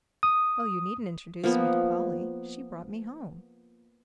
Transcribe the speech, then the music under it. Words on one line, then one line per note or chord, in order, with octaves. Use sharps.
"Oh, you needn't introduce me to Polly--she brought me home!"
D#6
F3 A#3 B3